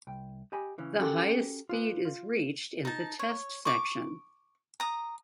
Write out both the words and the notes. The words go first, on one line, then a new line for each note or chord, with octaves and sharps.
The highest speed is reached in the test section.
C2 G5
G4 D#5 G#5 B5
C#3 E3 C#4
C#4 F#4 G4 A4 A#4
F4 B4
F4
D#4 A5
C#5
C#6 D6
A#5 D#6